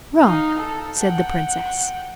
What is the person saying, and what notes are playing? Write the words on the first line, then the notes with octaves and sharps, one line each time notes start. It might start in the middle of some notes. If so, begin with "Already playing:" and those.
'Wrong,' said the Princess.
D#4 F5
A4
F#5 G5